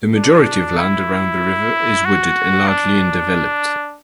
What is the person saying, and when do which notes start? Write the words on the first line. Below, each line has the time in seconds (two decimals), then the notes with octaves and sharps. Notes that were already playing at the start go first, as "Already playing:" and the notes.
The majority of land around the river is wooded and largely undeveloped.
0.15 D4
0.79 E4
2.05 F#4
2.68 D4